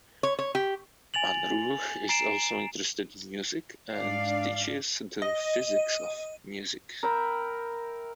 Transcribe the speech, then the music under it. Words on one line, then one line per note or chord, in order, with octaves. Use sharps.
Unruh is also interested in music and teaches the Physics of Music.
C#5
C#5
G4
G#5 A6 F7 F#7
A#5 C7 D7 E7
G#2 D4 D5 F5
D#5
A#4 E5 G5 B5